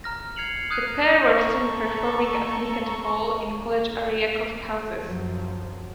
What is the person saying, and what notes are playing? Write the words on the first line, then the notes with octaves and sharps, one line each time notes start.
The pair were soon performing as Nick and Paul in college-area coffee houses.
A#5 F6 A#6
F6 G#6 C7 C#7 F7 F#7
D#6 F6 F#6 G#6 C7 D#7
A4 A#5 C#6
F#2 F3 F#3